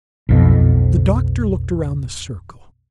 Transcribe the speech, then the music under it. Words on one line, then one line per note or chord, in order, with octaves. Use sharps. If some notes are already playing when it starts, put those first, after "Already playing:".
The doctor looked around the circle.
B1 F2 B2